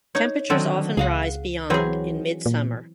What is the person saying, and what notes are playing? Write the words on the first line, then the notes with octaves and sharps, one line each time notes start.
Temperatures often rise beyond in midsummer.
D#4 C#5
D3 D#3 F#3 C4 F#4 A4
C#2 G#4 F5 F#5
E3 F#3 C4 F#4 G#4
A#2